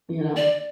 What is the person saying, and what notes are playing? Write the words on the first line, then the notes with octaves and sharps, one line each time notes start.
You know?
D5